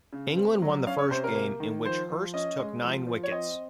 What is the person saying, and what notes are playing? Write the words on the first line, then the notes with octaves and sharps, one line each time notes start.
England won the first game, in which Hirst took nine wickets.
C#3
C4
F#3
C#4 F5
C#5
C3 C5
A#4
A#3
D#3
F3 C5
F3
C#4 D#5
G#3
F3
F3
C#5
C4 D#5